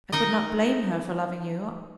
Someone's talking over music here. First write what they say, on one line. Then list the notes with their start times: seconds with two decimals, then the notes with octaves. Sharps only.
I could not blame her for loving you.
0.12 D#4 A#4 D#5